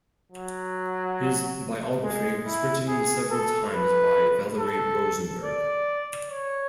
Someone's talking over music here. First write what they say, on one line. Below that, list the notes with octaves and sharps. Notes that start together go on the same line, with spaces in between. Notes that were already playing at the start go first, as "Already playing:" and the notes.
His biography was written several times by Valerie Rosenberg.
F#3
G#3
E4
G#4
A4
B4
A4
D5
C#5